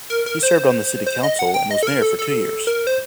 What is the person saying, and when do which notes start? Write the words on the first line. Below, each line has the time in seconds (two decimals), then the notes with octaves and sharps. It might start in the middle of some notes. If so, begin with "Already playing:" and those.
He served on the city council and was mayor for two years.
0.10 A#4
0.26 A#4
0.43 C5
1.06 C5
1.23 D#5
1.39 F#5
1.54 G5
1.71 D#5
1.83 A4
1.87 A#4
2.02 A4
2.19 A4
2.67 A#4
2.87 C5